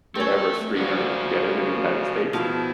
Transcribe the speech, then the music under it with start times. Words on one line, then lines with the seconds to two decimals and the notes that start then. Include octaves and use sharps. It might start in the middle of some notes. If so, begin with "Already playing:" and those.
whatever streamer to get it in the United States,
0.15 A3 C4 C#4 A4
0.76 C#3 F3 D4 F#4
2.33 B2 D#3 F3 E4 F5